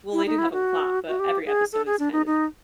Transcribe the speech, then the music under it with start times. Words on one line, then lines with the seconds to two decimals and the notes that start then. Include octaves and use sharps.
Well, they do have a plot, but every episode is kind of
0.13 E4
0.26 D#4
0.39 E4
0.53 F#4
1.08 F#4
1.19 G4
1.46 G#4
1.73 A4
1.86 G#4
1.99 D4
2.13 D#4
2.26 D#4